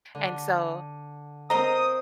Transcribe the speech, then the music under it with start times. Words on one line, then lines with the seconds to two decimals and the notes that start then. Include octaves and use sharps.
And so
0.15 D3
1.50 C4 A#4 C5 D#5 A#5 D#6